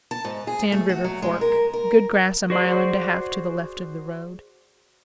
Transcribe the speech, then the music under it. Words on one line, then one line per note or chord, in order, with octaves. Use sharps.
Sand River Fork.--Good grass a mile and a half to the left of the road.
A5
G#2
G#4
A3
F#4
F#3
G#3
A#4
A#4
F#4 G#4 C5 D5